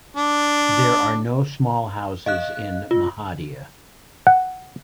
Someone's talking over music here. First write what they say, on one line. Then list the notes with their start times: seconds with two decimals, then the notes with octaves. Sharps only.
There are no small houses in Mehadia.
0.16 D4
2.26 D#5 F5 F#6
2.91 F4
4.27 F#5